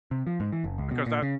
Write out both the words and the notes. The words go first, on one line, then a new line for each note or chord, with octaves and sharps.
because that
C3
F3
G#2
E3
F#1
C#2
B2
A#2
C#3